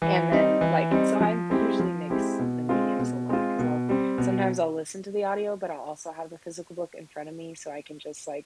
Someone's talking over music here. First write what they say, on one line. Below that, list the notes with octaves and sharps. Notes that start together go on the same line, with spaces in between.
and then, like, so I usually mix the mediums a lot, 'cause I'll sometimes I'll listen to the audio, but I'll also have the physical book in front of me, so I can just, like,
E3
G3 C4 D#4
E3
G3 C4 D#4
F3
G#3 C4 E4 G4
F3
G#3 C4 E4 G4
B2
G#3 C4 F4
B2
G#3 C4 F4
B2
G3 C4
B2